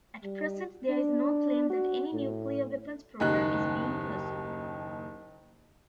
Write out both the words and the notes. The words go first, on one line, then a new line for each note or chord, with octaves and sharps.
At present there is no claim that any nuclear weapons program is being pursued.
G3
D4
F#4
A2
F#1 D#2 D#4 F#6